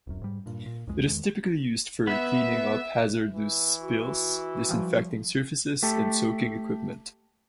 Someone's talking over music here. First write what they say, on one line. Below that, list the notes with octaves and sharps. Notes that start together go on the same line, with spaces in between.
It is typically used for cleaning up hazardous spills, disinfecting surfaces and soaking equipment.
D1 F#2
G#2 G3
G2 A#2
A#2
C2 F2 G#3
E2 D#3 G#3
B3 E5
E3
F#4
F3 G3
A3 G4 A4